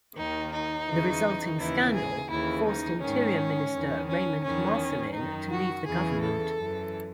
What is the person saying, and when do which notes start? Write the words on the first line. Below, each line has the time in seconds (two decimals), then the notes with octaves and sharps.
The resulting scandal forced Interior Minister Raymond Marcellin to leave the government.
0.16 D#2 D#3 D#4
0.52 D#4
0.87 E2 C#3 E3
1.58 D#2 C#3 E3 E4
1.94 G#4
2.29 D#2 C#3 E3 E4
2.65 D#4
3.01 G#2 D#3 C#4
3.72 E2 D#3
4.08 C#4
4.43 E2 D#3 C#4
5.14 F#2 D#3 D#4
5.50 F#4
5.86 E2 C#3 E3 G#4
6.21 A4
6.57 F#2 E3